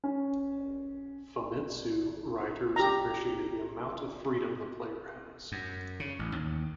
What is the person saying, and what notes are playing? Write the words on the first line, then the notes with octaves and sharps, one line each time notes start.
"Famitsu" writers appreciated the amount of freedom the player has.
C#4
G4 A#5
F#2
C#3
A1
D#2